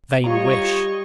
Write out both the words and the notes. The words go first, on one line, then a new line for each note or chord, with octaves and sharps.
Vain wish!
G3 F4 C#5 D#5 A#5 C#6